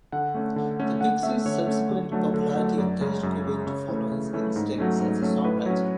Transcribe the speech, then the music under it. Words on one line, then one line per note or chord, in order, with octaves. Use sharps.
The Pixies' subsequent popularity encouraged Cobain to follow his instincts as a songwriter.
D3 F#5
A3 C#4
D3
A3 C#4
D3 F#5
A3 C#4 E5
D3 C#5
A3 C#4
D3
F#3 A3 D4
D3
F#3 A3 D4
F#2 D5
C#3 G#3 C#4
F#2
C#3 G#3 C#4
C#3 C#5
E3 A3 C#4
C#3
E3 A3 C#4
G#2
F#3 A3 C#4
G#2
F#3 A3 C#4
A2 B4
F#3 C#4 C#5